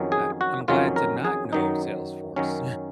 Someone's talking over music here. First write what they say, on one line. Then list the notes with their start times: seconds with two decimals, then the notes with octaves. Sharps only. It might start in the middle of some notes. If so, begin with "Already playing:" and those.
I I'm glad to not know Salesforce
Already playing: F2 D#3 F#3 C#4
0.12 G#4
0.41 F#4
0.68 F2 D#3 F#3 C#4 F4
0.96 A#4
1.25 G#4
1.53 F#2 D#3 F#3 D#4
2.36 F#2 D#3 F#3 C#4